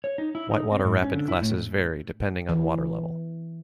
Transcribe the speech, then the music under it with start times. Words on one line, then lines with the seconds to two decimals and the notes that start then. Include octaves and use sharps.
Whitewater rapid classes vary depending on water level.
0.04 C#5
0.18 D#4
0.35 E4
0.51 D#4
0.72 C4
0.85 G#2
1.02 C#4
1.14 D3
1.28 E4
1.42 A2
2.49 E3